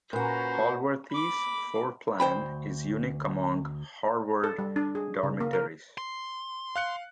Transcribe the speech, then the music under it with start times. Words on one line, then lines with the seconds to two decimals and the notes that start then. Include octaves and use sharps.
Holworthy's floorplan is unique among Harvard dormitories.
0.13 A#2 C#4 F#4 B4 C5 A#5
1.11 B5 D6
2.20 D2 C5 G5 B5
4.44 A4
4.59 G3
4.76 D4
4.95 G#4
5.23 C#3
5.40 A#3
5.53 A#4
5.98 C6
6.76 F5 F#6 C#7